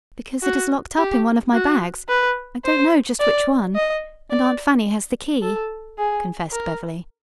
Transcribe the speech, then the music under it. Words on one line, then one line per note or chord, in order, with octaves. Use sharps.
"Because it is locked up in one of my bags--I don't know just which one--and Aunt Fanny has the key," confessed Beverly.
F#4
G4
F#4
B4
C5
D5
D#5
D5
A4
G#4
A#4